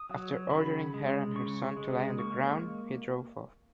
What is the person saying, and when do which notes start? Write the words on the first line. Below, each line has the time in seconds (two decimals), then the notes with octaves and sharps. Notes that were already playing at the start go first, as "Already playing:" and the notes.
After ordering her and her son to lie on the ground, he drove off.
Already playing: D#6
0.10 F#3
0.51 C#3 B5
0.94 G#3
1.35 C#3 C#6
1.77 G#3
2.19 A#3 C#6